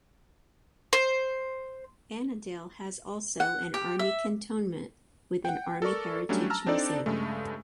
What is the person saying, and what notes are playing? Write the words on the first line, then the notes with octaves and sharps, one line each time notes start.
Annadale has also an army cantonment with an Army Heritage Museum.
C5
F#5
G4
E5
F#5 G5
A4 A#4 D5 C#6
F#3 G3 A3 C#4 D4
A5 A#5 E6 F6
C4 D4 D#4 A4 D5
G2 C#3 G#3 A3